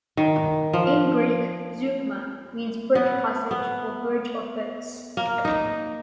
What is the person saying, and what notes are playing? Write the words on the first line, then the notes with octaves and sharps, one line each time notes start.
In Greek, "zeugma" means "bridge-passage" or "bridge of boats".
D#3
F3
B3
B3
A#3
D#4